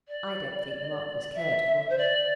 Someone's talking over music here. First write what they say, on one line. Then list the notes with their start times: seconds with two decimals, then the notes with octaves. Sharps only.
"I don't think the Marquis cared for him."
0.08 D5
1.34 E5
1.89 C5
1.97 D5